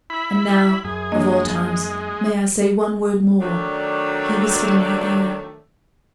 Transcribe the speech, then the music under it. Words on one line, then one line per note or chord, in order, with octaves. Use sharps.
"And now--of all times--may I say one word more?" he whispered in her ear.
E4 B5
F#2 G#4
G#3 A#3 D4 D#5
D#3 F#3 A3 D4 D5